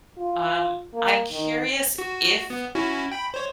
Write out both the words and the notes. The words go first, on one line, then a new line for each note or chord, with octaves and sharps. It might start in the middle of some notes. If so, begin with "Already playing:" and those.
Um, I'm curious if
F4
A#3
D#3
F#4
B3
C#4 E4 F#4
G5 B5
C5 C#5